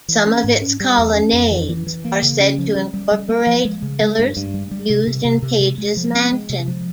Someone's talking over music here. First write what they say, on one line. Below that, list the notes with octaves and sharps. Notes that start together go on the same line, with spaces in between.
Some of its colonnades are said to incorporate pillars used in Page's mansion.
E3
C#4
G#2
C#4
G3
E2
C#4
F2
E3
E3
E3
A#3
C#3
C#4
F3
G3
G3
G3
A#3
F3
G#3
C#3
G#3
G2
G2
G3
G3
C3
C3
C3
C3
G#3
G#3
F3
C4
G#3
C3
F3